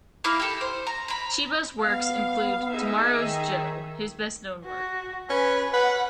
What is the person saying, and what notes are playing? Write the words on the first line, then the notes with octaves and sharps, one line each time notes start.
Chiba's works include "Tomorrow's Joe", his best known work.
A#3 E4 F5 F6
G4 A4
C5
A#5
A#5 B5
B3 F5
D#4 G#4 E5
D#3
F#4
C#4 B4
B4 F#5